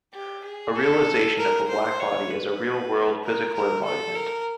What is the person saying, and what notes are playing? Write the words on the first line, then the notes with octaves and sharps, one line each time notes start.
A realization of a black body is a real world, physical embodiment.
G4
G#4
A4
A#4
C5
C#5
B4
A#4
A#4
A4
A#4